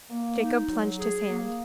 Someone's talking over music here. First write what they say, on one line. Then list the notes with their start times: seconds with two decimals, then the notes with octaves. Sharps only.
Jacob plunged his hand.
0.10 A#3
0.39 D#4
0.69 F#3
0.98 G#4
1.27 A#3